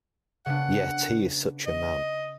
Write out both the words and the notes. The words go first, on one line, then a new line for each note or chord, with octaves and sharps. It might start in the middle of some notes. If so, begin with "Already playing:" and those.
Yet he is such a man!
C#3 B3 D4 F#5
D#5